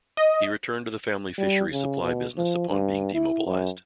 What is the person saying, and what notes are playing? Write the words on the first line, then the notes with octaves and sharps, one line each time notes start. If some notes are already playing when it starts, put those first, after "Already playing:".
He returned to the family fishery supply business upon being demobilized.
D#5
G3
C#3
B2
F3
G2
E4
F#2